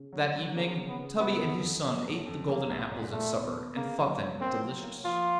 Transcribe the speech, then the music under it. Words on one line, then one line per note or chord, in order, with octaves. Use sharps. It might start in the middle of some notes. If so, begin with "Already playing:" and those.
That evening Tubby and his son ate the golden apples at supper, and thought them delicious.
Already playing: C#3
F#3
F#3
C#3 A#3
C#3
B3
C#3
C#3 B3
F2
F2
F#3
F2
F2
F#3 A#3
C2
A#2
A#2 A3
B3
B3
C#3 A#3
F#3
F#3
A#3 C4
F#3
A#3
F3 F4